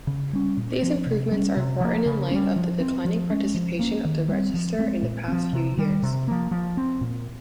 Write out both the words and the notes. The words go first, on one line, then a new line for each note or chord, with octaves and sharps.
These improvements are important in light of the declining participation in the Register in the past few years.
C#3
G3 C#4
A#2
F3 C4
C3
G3 A#3 C#4
C3
F3 A#3
C#3
G3 A#3 C#4
F3
C4
F3
G#3 C#4
F3
A#3 C#4
D#3
G3 C4
F3
G#3 C4
A#2
F3 C4
C3
D#3 G3
C3
F3 A#3
F3
C4
A#2